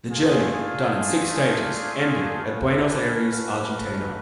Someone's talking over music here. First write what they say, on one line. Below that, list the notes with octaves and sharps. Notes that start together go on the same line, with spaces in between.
The journey, done in six stages, ended at Buenos Aires, Argentina.
A3 D4 F4 G#4
A3 C#4 F#4 B4 F5